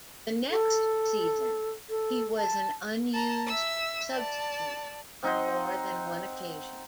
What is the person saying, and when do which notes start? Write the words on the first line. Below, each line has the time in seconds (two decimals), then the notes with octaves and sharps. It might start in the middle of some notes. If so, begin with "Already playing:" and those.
The next season, he was an unused substitute on more than one occasion.
0.51 A4
1.89 A4
2.38 A5
3.13 A5 A#5
3.46 E5 E6
4.12 D5 A5
5.23 C4 D#4 F#5 C6